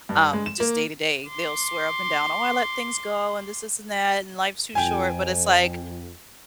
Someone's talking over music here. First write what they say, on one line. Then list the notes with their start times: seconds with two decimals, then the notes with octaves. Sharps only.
um, just day to day, they'll swear up and down "Oh, I let things go and this, this, and that, and life's too short," but it's like
0.09 G2
0.33 G#3
0.46 E7
0.60 A#3
1.28 C6 D6
4.75 F2 G5 G#5